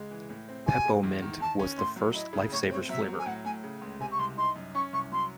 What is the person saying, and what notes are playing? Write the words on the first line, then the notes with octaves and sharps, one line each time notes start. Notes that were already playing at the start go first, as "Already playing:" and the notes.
Pep-O-Mint was the first Life Savers flavor.
Already playing: C#2 G#3
E3
A2
C4
C3 G#5
G#3
E2
D#3
D#3 A5
C#4
A2 C6
F#3
E4 D#5
C#3
A2 C#5
C4 C#5
F#3 E5
F#3
G#5
A2 F#5
A2 G#5
C#3
C#2
C3 G#5
C#6
C2 C6
D#4 C6
F#2
C#4 C#6
C2 C#6
F#3 C6